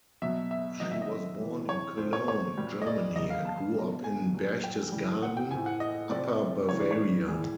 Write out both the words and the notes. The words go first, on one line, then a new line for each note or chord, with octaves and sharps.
She was born in Cologne, Germany, and grew up in Berchtesgaden, Upper Bavaria.
B2 F#3 E5
E5
C3 D#3 F#3 D#5
E5
D#5
C3 E3 G3
C#5
C3 F3 C5
C#5
C#5
A#2 G3
D#5
D5
C#3 F#3 D#5
F5
A5
B2 G3
G#5
A#2 F#3
G5
C#3 E3 G3
F#5
G5
A2 F3 G#5
F#5
D#5
C3 F3 D5
C#3 E3 G3 C#5
D5
C#5
A2 E3 G3 G#4